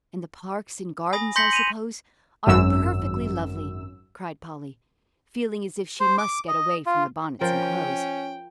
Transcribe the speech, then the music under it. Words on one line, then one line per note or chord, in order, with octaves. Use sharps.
"And the parks and gardens, I suppose, are perfectly lovely," cried Polly, feeling as if she must get away from the bonnets and clothes.
G#5 B5 D#6 A#6
C6 G6 A#6 B6 C#7 F#7
D#7 F7
G#1 F#2 E6
C5
D6
D#5
F4
F3 C#4 A#4 G5